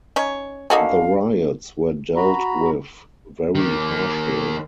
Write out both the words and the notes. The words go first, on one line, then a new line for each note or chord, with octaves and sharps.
The riots were dealt with very harshly.
C#4 D#4 C#5
D3 A#3 C#4 D#4 F#4 A4 F5
F#4 A#5 B5
D#3 A#3